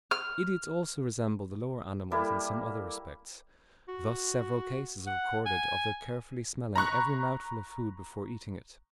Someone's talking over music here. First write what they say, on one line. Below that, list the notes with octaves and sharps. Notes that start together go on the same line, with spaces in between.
Idiots also resemble the lower animals in some other respects; thus several cases are recorded of their carefully smelling every mouthful of food before eating it.
F6
G3 A#3 E4 A4
F#4
F#5
G#5
A#5 B5 C#6 F#6